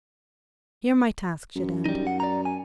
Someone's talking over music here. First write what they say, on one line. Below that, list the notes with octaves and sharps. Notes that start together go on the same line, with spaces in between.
Here my task should end.
F#2
G3 D#4
F#5
D5 A#5
G#5